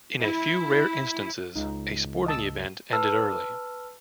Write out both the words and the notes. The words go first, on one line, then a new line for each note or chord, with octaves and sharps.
In a few rare instances a sporting event ended early.
E4
C#2 D#4
D#5 A5 E6
B4 A5 E6 F6